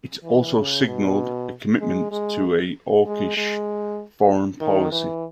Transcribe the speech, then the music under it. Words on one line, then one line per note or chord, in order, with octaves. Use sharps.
It also signaled a commitment to a hawkish foreign policy.
E3
C#3
B2
G#3
G#3
G#3
G#3
D#3
E3